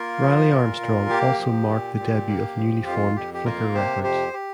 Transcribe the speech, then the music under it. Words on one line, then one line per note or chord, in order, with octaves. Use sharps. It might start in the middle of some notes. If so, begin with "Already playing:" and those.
"Riley Armstrong" also marked the debut of newly formed Flicker Records.
Already playing: A#3 F4 A#4
F3
A#2
A#2
A#3 G4
F3
A#2
A#2
A#3
F3
F2 F4
F2 G4
G4
A#3 F4 A#4
C3 G4 C5
F2 G4 C5
G4